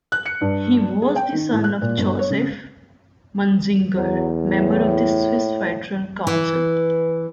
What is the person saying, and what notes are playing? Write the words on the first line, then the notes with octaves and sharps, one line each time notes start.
He was the son of Josef Munzinger, member of the Swiss Federal Council.
F#6
C#7
G2
G#4
G5
D#3
A2
F#6
A#2
G1
C#5
C#3
E2 F#3
A2
E3